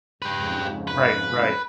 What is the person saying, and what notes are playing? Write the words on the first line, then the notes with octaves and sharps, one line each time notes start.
Right, right.
F2 G#2 C#3 G4 B4
B4